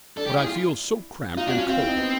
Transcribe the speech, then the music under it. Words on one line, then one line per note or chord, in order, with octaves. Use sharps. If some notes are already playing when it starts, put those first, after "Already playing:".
"But I feel so cramped and cold."
D4 A4
G4
E4 G#4
F4
D#4 F4
D4 F#4
C#4 F4
C4 F4
E4
D#4
B3